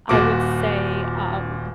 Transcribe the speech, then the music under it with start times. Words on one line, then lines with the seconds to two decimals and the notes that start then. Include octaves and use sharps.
I would say, um,
0.09 D#1 A#2 F#4 D6